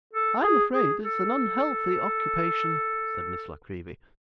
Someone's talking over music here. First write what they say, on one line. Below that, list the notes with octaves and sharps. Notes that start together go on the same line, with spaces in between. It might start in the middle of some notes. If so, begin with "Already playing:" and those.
'I am afraid it is an unhealthy occupation,' said Miss La Creevy.
A4
G#4
G#4
A4